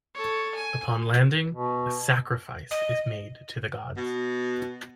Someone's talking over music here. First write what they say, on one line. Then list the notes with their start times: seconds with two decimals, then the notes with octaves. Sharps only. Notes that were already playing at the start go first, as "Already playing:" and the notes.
Upon landing, a sacrifice is made to the gods.
0.14 A4 C#5
0.55 G#5
1.53 B2
2.71 D#5
3.97 B2